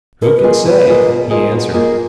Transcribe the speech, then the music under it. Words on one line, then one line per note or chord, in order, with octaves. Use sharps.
"Who can say?" he answered.
B2 A#4
B4
A#3 F4 G#4 D#5
B2 B4
A#3 F4 G#4 D#5
B2
A#3 F4 G#4 D#5
B2
A#3 F4 G#4 D#5